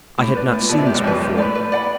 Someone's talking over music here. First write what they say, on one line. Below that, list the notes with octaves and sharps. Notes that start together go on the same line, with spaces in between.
I had not seen this before.
A2 G4
B4 D5
A2 G4
A#2
B2 B4 D5
C3
G#2 G4
F#2
F2 B4 D5
F#2
G#2 G4
A2 B4 D5
B4
D5 F#5 B5